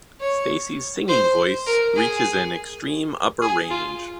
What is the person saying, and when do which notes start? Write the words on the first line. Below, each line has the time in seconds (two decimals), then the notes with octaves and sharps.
Stacey's singing voice reaches an extreme upper range.
0.20 C#5
1.08 C5
1.66 A#4
1.96 G#4
3.42 G#4
3.70 F4